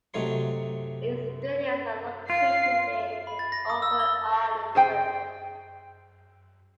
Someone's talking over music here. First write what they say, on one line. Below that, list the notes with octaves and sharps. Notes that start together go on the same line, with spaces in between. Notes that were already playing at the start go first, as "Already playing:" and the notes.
Its studios are located in Upper Arlington.
C3 F#3 A3 D#4 C#5 C6
F4 F5 C7
B5
A6
A#6
D#6
E6
G7
G#4 C5 G5